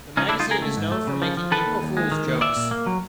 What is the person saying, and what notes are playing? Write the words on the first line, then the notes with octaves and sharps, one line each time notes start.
The magazine is known for making April Fools jokes.
C#2 C#4 D#4
D4 E4
C#2
D#4 F4
C#2 G#4 A#4
A3
G#2
A3
C#3
F3
F3
D#3 A4 B4
D#2
D#2
G#3
D#3
D#2
A#2 D5 E5
A#2
A#3
F#3